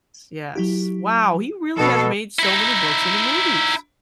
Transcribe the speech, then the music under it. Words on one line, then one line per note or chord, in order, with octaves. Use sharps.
yes, wow, he really has made so many books into movies.
F#3 E4 G4
B2 F3 A4
D#4 E4